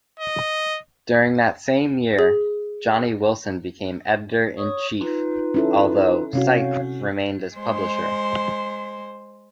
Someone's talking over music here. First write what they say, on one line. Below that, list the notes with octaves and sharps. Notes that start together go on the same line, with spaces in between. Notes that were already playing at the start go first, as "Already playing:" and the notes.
During that same year, Johnny Wilson became editor-in-chief, although Sipe remained as Publisher.
D#5
G#4
C#5 C#6 D#6
D#4 F4 B4
C#4 E4 A4
C3 C#4 F#4 C#5 F5
G#3 C5